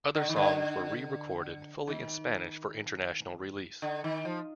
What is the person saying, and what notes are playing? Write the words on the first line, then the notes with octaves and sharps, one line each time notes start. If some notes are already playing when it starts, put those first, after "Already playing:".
Other songs were re-recorded fully in Spanish for international release.
D3
D#3
D3
D#3
D3
D#3
F3